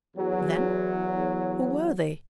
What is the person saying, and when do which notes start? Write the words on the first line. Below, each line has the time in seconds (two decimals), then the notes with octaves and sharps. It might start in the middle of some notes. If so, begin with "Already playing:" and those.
"Them"? who were they?
0.17 E2 F#3